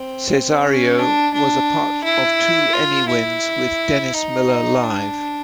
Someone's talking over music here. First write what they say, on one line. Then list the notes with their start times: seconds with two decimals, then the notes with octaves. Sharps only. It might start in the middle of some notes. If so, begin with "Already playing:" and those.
Cesario was a part of two Emmy wins with "Dennis Miller Live".
Already playing: C4
0.63 C#4
0.99 D4
1.34 D4
2.04 E4
2.73 F4
3.08 E4
4.14 D#4
4.83 D4